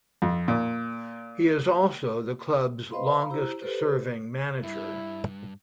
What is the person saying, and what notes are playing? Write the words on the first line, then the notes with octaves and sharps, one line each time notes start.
He is also the club's longest serving manager.
F2
A#2
B4 C5 D#5 F5 B5 C6
F5 A#5 B5
E4 G4 C5 A#5 E6
G4 A4 B4 C5
G2 E4